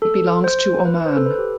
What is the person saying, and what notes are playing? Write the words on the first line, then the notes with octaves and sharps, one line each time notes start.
It belongs to Oman.
A4
C5
B4
C5
A4
B4
G4